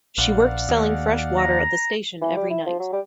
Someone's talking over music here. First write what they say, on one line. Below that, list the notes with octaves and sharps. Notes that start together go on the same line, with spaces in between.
She worked selling fresh water at the station every night.
A#1 D5 F5 F#5
D#2
A#5
E3
G3
E4
F3
F#3
G3